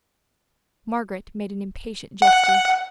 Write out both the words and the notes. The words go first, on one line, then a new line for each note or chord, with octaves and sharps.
Margaret made an impatient gesture.
F#5